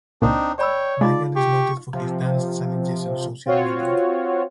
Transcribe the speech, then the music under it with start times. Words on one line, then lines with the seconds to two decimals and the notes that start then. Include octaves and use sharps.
Michael is noted for his dance challenges on social media.
0.22 C#2 A#2 C4 D4 D#4
0.59 C#5 D5 G5 B5 E6
1.01 G#3 D#4 F4 D5 F5
1.36 G4 C#6
1.94 C3 F3
3.46 C4 F4 F#4 C#5